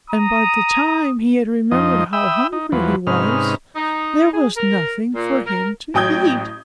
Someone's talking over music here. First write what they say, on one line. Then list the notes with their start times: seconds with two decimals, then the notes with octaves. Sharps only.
And by the time he had remembered how hungry he was, there was nothing for him to eat.
0.10 A#5 D#6
1.71 F2 F3 D#4 D#5
2.13 E5 G5 B5 D#6 E6
2.52 D#4
2.72 E2 F3 F#3 B4
3.07 G#2 C3 C#4 D#4 B4 F6
3.75 D#4
4.33 G#4
4.56 A#4
5.15 A#2
5.45 A#4
5.94 A1 F#3 G5 D#6 G6 G#6